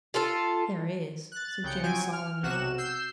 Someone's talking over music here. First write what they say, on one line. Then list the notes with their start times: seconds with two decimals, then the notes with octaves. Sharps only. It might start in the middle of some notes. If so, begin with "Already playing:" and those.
"There is," said Jim solemnly.
0.14 F4 A4
1.32 F#6 A6
1.63 C2 C#3 G5 G6 C#7
1.82 F3 F#3 G#5 D7
2.13 F6
2.43 B1 C3 F#4 F#6 E7
2.78 E6 G6 C7